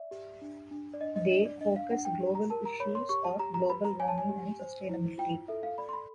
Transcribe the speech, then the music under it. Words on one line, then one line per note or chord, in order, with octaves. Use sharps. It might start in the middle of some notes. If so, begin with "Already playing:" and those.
They focus global issues of global warming and sustainability.
Already playing: D5 E5
G4
D4
D4
D5
D4 D#5
D#5
D4 D#5
D5
D4 D#5
F5
D4 F#5
G5
G4
A#5
A#4 A5
A#5
C#5 B5
C6
G4 C#6
A5
G4 A#5
A#5
B4 B5
A#5
C#5 G#5
A5
G#5
G4
C5
E4
F4 G5
A4 E5
F5
D5 B5
C6
B5